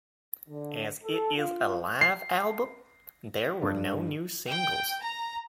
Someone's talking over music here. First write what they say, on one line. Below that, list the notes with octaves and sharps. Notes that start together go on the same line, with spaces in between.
As it is a live album, there were no new singles.
D3
A4
F4
C7
G2 D4
G5
A#5